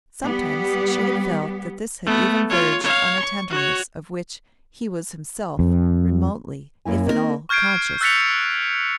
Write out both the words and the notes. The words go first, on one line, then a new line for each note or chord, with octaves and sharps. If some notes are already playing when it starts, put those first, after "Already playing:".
Sometimes she had felt that this had even verged on a tenderness of which he was himself remotely, if at all, conscious.
G3 B3 G4
A3 B3
F4 C#5
C#5 F5
C#6
F#4 C#5
F2
F#2 A#3 E4 G#5
A#3 C4 D#4 E4 A#4
C#6 F6 G6 G#6 C7 D7
E6 F#6 A6 B6 C#7 F7